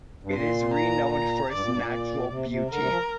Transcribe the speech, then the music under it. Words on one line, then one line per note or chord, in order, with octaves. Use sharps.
It is renowned for its natural beauty.
G2
A#2 C6
A#5
A#5
G2 D5
A#2
G2
A#2
D5
C3
C3
D3 A#4
C3
G3
F3